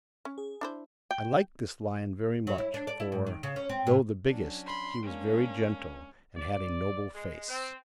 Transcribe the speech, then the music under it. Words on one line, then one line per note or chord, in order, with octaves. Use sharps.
I liked this lion very much, for, though the biggest, he was very gentle, and had a noble face.
C#4
G#4
D4 E4 C5
G5
F#3
E4
D4
D5
E4
G#2
D#3
C#3
C#4
C4
A2
F#3 C#4 D4
B5 C6
G#3 A#3 C#4 D4
D5
G#3
C4